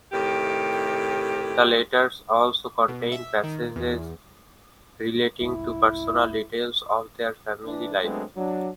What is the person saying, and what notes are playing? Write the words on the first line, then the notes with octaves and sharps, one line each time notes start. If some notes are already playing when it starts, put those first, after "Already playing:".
The letters also contain passages relating to personal details of their family life.
A2 C3 D#3 G4
B2
E5
D#3
A#2
E2
F1 C2 G#2 E4
E3 D4
F#3 G#3 A3 B3 C4 D4
F#3 D4